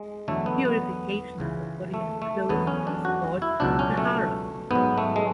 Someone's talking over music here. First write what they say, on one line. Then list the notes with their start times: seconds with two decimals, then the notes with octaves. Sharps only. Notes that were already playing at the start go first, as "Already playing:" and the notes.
Purification of the body and clothes is called "taharah".
Already playing: G#3
0.28 E2 D3 F#3 A3
0.46 B3
0.65 B3
1.38 C#2 C#3 E3
1.94 A3
2.22 A3
2.49 E2 D3 F#3 B3
2.67 C#4
2.87 D4
3.05 F#4
3.42 E4
3.60 C#2 B2 F#3 D4
3.79 C#4
3.97 A3
4.71 G#2 F#3 B3
4.98 A3
5.16 G#3